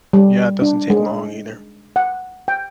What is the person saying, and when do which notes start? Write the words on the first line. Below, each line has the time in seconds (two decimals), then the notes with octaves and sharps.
Yeah, it doesn't take long, either.
0.13 G3
0.62 D4
0.90 G#3
1.96 F#5
2.48 G5